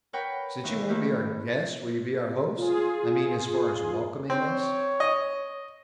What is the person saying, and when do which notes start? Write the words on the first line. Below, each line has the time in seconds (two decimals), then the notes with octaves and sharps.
Since you won't be our guest, will you be our host--I mean, as far as welcoming us?
0.13 A#4 B4 C#5 F#5 G5 B5
0.64 D#2 E3 D#4
0.88 D#3 A3 A#3 E4 G4 B4
2.58 F4 G#4
4.30 C4 C#5
5.00 D#5